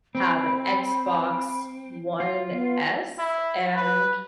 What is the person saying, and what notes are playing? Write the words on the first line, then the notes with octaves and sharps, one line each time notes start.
have an Xbox One S, and
C4 B5
F4
B3
E4
B4